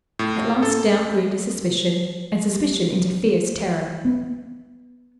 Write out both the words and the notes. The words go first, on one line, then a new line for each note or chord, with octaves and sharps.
At last doubt grew into suspicion, and suspicion into fierce terror.
A2
A4
G3
B3